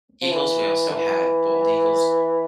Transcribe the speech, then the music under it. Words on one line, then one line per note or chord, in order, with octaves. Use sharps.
eagles, we also had bald eagles
F3
E3
D3
E3